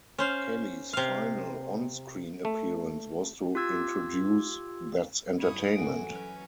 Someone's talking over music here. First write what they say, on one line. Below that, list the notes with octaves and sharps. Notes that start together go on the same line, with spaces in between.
Kelly's final on-screen appearance was to introduce That's Entertainment!
C#4 C5 F5
C3 F5
A3
F4 G4 E6 G#6
G2 F#3 E4 C#6 D#6
G2 E3 F#4 A4 G#5 D7
F#3 C#4 B4